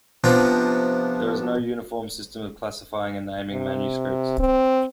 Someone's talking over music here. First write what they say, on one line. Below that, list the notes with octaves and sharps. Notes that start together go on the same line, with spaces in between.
There is no uniform system of classifying and naming manuscripts.
C3 F3 B3 D4 A#5
C3
C4